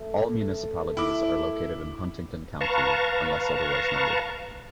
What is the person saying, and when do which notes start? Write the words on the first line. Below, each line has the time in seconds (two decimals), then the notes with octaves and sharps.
All municipalities are located in Huntingdon County unless otherwise noted.
0.01 A3
0.97 E4 D6
2.61 B4 F5 A5 A#5 C#6